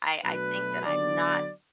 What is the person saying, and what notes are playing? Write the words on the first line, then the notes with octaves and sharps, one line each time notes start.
I I think that I'm not
B2 F#3 A3 D4 B4
D3 F#3 B3 D4 D5